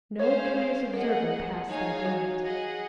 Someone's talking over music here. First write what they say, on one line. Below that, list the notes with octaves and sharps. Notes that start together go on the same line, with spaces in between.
No curious observer passed that limit.
C#4 G#4 C5 C#5 F5
G#4 A#4 D#5 F#5
D#4 G#4 C#5 F5 G#5
F#4
G#4 D#5 F#5